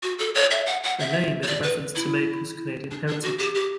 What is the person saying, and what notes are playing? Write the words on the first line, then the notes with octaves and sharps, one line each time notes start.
The name is a reference to Maple's Canadian heritage.
F#4
A4
C#5
E5
F#5
F#5
E5
C#5
D5
B4
E4
D4
D4
F#4
G4
G4